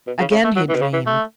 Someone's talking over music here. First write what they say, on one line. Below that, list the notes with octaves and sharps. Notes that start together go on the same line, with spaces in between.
Again he dreamed.
B2
C#3
C#3
A3
F#3
E3
B2
C#3
E3
A3